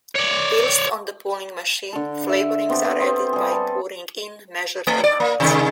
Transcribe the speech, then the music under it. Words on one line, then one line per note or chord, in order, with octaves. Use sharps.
Whilst on the pulling machine, flavourings are added by pouring in measured amounts.
C#5 D5
D3 A4
E5
B3 C4 G4 A4
B3 C4
G3 G#4
A4 A5
A3
D5
A#3
C3 D#3 G#3